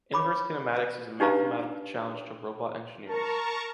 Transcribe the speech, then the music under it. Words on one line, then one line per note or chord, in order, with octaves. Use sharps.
Inverse kinematics is a mathematical challenge to robot engineers.
C#5 B5 D6
D4 D#4 G4 B4 F5 A#5
A#4 A5 A#5 C#6